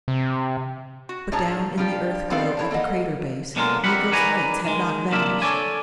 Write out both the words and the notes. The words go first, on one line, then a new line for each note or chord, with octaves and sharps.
But down in the Earth glow at the crater base, Miko's lights had not vanished!
C3
F#4
A2 D4 G#4 C#5 A5 A#5
F3 G3 D4 F4 G4
G3 B3 C4 A4 D5 F5
E4 C#5 A5
A#3 A4 D#5 F#5
B2 D3 F#3 G#3 A#3 F4
F2 G3 E4 A#4 F#5 B5
D#3 F#3 B4 D5 G#5 A#5
D#3 G#3
C2 A#3 D4 F4 E5
A4 C#5 D5 G#5